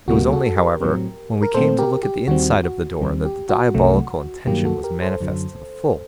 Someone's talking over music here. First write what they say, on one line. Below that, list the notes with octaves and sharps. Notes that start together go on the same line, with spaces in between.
It was only, however, when we came to look at the inside of the door that the diabolical intention was manifest to the full.
D2 C3 G3 A#3 F#4
F#4 A4
A4
G4 A#4
A2 F#3 A3 C4
A#4
A#2 A3 C4 A4 C5
G4 A#4
G4
D#2 D#3 G3 C4 F#4
F#4
D#2 D#3 G3 C4
G4
F#4
C2 C3 F#3 A3
G2 D#3 F#3 A#3 G4
F#4 A4
G4 A#4
A4 C5
F#2 D3 F#3